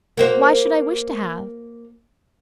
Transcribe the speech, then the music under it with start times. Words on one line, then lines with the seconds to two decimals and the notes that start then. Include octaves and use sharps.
Why should I wish to have?
0.17 A#3 F#4 C5